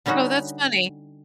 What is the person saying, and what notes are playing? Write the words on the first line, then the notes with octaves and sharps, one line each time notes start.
Oh, that's funny.
D3 G3 C#4 D#4 F#4